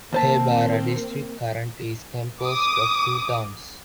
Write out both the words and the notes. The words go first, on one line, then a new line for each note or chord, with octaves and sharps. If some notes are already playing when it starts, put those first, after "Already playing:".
Haibara District current is composed of two towns.
D#2 A#3 C4 C5 A5
D6 D#6